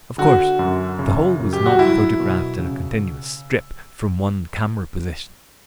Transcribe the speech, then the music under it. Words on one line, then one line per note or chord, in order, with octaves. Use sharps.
Of course the whole was not photographed in a continuous strip from one camera position.
D3 F#4
F#2
C#3
F#2
G4
F#4
F#3 E4
B2
C#3